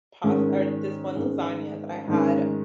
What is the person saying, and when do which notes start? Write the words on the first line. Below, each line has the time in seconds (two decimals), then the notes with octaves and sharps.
past or this one lasagna that I had,
0.24 G#2 D#3 G#3 C#4
1.16 G#2 D#3 G#3 C#4
2.08 G#2 D#3 G#3 C#4